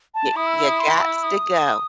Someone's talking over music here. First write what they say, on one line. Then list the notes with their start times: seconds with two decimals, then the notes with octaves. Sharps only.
you you gots to go.
0.15 A5
0.36 E4 D#6
0.47 E6
0.58 E6
0.68 D#6
0.80 C6
1.01 E6
1.23 D#6